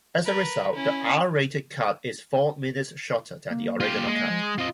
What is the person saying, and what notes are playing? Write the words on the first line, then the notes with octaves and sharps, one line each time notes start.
As a result, the R-rated cut is four minutes shorter than the original cut.
A#4 B4
C#4 E4
A#3
F4 G4
G#3
F3
D#6
C4 F4 D#5